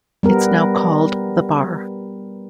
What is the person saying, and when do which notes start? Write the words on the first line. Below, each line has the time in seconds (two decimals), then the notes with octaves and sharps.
It's now called The Bar.
0.23 G3 B3 A#4